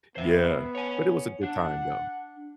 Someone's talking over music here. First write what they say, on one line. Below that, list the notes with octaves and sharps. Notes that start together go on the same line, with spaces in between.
Yeah, but it was a good time, though.
B3 C5 E5
C#5 G#5
D4 F#5